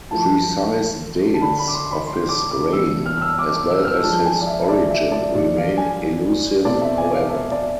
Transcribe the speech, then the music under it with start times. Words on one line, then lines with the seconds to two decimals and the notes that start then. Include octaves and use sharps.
Precise dates of his reign, as well as his origin, remain elusive however.
0.11 F3 A3 E4 A5
1.34 A5
1.41 D3 A3 D4 B5
1.59 B5
1.68 D6
1.74 C6
1.91 B5
2.06 C6
2.29 D6
2.51 D6
2.72 E3 B3 D4 E6
3.06 F6
3.17 F6
3.22 E6
3.38 D6
3.55 D6
3.71 E6
3.83 F6
3.87 E6
4.03 F3 G#3 D4 A5
4.26 G#5
4.41 D5
4.47 E5
4.64 E5
4.69 D5
4.91 E5
5.12 D5
5.34 A2 F3 G#3 D4 D5
5.57 F5
5.77 G#5
6.65 B2 A3 C4 E4 D5
6.81 E5
6.98 G#5
7.14 F5
7.30 E5
7.52 D5